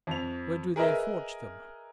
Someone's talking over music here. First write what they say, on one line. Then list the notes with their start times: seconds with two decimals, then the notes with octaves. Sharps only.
Where do they forge them?
0.07 F2 F7
0.76 G#4 A#4 B4 D#5 E5